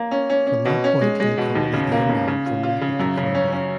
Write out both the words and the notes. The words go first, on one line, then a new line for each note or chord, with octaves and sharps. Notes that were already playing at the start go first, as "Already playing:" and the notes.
From that point he accompanied the Imam from Mecca to Karbala.
Already playing: A#3
C#4
C#4
C#4
B2
C#4
G#3
G#3
B2
D#2
C#3
A#3
C#3
C#3
F4
F4
C#3
F#2
C#3
C#4
C#4